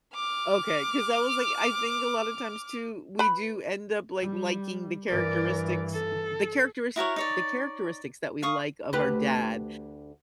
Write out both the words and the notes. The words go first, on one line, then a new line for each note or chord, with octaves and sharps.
Okay, 'cause I was like, I think a lot of times too, we do end up, like, liking the characteristics the characteris the characteristics that we like of our dad.
D6 F6
B4 B5
G3
G2 E3 A#4 D5
A4
E4 F#4 A#4 C#5
D#4 C#5 D5
F5 C#6 D#6
D2 G4 B4